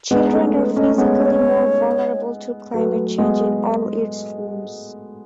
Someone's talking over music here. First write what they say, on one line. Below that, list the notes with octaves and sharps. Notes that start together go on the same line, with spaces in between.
Children are physically more vulnerable to climate change in all its forms.
G#3 B3 B4
D#4
A3 C#4 A4
B4
A3 C#4 D#5
G#3 B3 C#5
F#3 A3 B4
G#3 B3 G#4